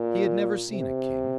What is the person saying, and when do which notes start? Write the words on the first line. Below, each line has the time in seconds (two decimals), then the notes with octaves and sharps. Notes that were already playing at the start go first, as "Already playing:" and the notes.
He had never seen a king.
Already playing: A#2
0.70 C3